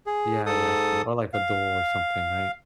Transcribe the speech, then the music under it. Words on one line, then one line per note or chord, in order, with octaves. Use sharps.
Yeah, yeah, I see, or, like, a door or something, right?
G#4
G#2 A4 D#6
F5